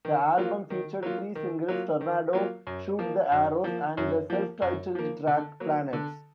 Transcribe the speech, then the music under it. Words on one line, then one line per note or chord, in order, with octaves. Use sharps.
The album featured three singles: "Tornado", "Shoot the Arrows", and the self-titled track "Planets".
D#3
F#3 A#3 F4
D#3
F#3 A#3 F4
D#3
F#3 A#3 F4
D#3
F#3 A#3 F4
F#2
F3 A#3
F#2
F3 A#3
F#2
F3 A#3
F#2
F3 A#3
D3
F#3 A#3
D3